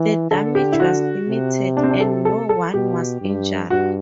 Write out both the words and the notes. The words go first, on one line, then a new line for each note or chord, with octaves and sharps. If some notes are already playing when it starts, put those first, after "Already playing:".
The damage was limited, and no one was injured.
Already playing: E3
D3 A4
G4
E4
F#4
C3
D4
C4
D4
A4
A4
A4
B2 G4
G2
G2 F#4